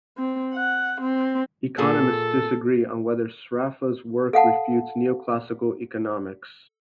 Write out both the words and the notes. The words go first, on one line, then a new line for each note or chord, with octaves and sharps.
Economists disagree on whether Sraffa's work refutes neoclassical economics.
C4
F#5
C4
A#2 G#4 A4
A4 F5 F#5 A5